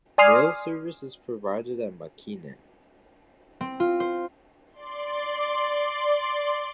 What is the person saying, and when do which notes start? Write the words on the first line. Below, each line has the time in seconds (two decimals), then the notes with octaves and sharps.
Mail service is provided at Makinen.
0.18 D5 G#5 C6 D#6 F6 C7
3.61 C4
3.80 F4
4.00 C5
4.73 D5 C6